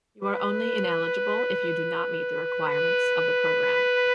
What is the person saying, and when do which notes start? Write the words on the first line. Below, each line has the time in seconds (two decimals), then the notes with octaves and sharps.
You are only ineligible if you do not meet the requirements of the program.
0.22 B4
2.68 B4